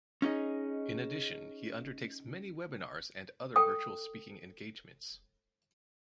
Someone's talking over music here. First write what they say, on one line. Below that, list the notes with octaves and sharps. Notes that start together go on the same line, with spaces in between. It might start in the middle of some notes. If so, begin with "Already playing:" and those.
In addition he undertakes many webinars and other virtual speaking engagements.
C#4 D#4 G#4 D#5
A4 G5 D#6